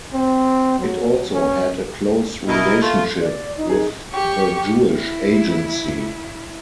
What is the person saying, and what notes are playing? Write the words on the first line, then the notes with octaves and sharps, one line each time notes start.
It also had a close relationship with the Jewish Agency.
C4
F#3
C#4
B2 E4 A#4 D#5
A3 F4
D5
D#4
G#4
G4 C#6
E4